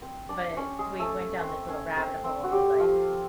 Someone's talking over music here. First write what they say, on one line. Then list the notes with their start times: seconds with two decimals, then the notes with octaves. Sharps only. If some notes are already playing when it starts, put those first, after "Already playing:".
but we went down this little rabbit hole with, like,
0.02 C4 C5
0.29 D4 D5
0.57 C#4 C#5
0.79 G#3 G#4
0.99 A3 A4
1.40 C4 C5
1.68 C#4 C#5
1.97 C4 C5
2.24 C4 C5
2.44 F#4
2.52 G3 G4
2.80 F3 F4